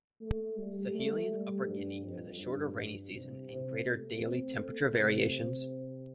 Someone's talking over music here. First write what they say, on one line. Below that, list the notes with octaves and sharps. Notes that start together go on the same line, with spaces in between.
Sahelian Upper Guinea has a shorter rainy season and greater daily temperature variations.
A3
G3
A3
G3
G2
F2
G2
G2
C3
C3
A3
C4
A3
C3